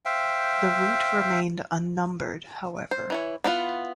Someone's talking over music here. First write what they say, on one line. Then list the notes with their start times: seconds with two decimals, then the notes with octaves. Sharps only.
The route remained unnumbered however.
0.05 C5 E5 F5 G5
2.91 C5
3.10 E3 E4 C#5
3.44 B3 D4 E4 F4 F#5